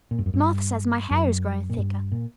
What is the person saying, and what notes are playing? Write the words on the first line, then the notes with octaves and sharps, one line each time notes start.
Martha says my hair is growing thicker.
A#2
G2
F#2
G2
F#2
A#2
G2
A#2